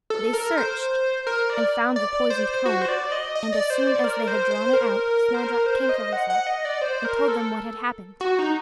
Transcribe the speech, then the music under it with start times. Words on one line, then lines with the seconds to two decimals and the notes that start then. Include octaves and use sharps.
They searched, and found the poisoned comb; and as soon as they had drawn it out, Snowdrop came to herself, and told them what had happened.
0.10 A4
0.33 A#4
0.57 C5
1.27 A#4
1.50 D5
1.96 D5
2.30 C5
2.66 F#4
2.82 C5
2.89 D5
3.12 D#5
3.35 D#5
3.52 D5
3.70 C5
3.87 D5
4.04 A#4
4.28 C5
4.51 C5
4.73 A#4
5.34 C5
5.43 A#4
5.66 C5
5.89 D#5
6.13 F#5
6.30 F#5
6.47 D#5
6.65 D5
6.82 C5
7.05 A#4
7.28 A4
8.21 F#4
8.39 D#4